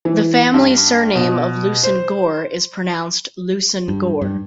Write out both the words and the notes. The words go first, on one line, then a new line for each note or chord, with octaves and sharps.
The family surname of Leveson-Gower is pronounced "Looson-Gore".
E3
G2
B2
C5
G2
G2